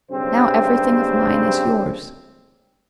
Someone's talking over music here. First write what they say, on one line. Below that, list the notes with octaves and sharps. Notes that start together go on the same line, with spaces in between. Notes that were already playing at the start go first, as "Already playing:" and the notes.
Now everything of mine is yours.
B1 G2 C#3 C4 G4 C5